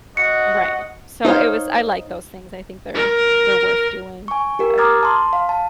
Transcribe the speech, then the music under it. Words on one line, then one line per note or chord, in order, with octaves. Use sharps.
Right. So, it was I like those things. I think they're they're worth doing. But
F#4 D#5 F#5 C#7
D#4 C5 C#5 F5
A#4
G#5 C#6
G4 A#4
A#5 D6 D#6 F6 G#6 A6
A5 C6
F5
A5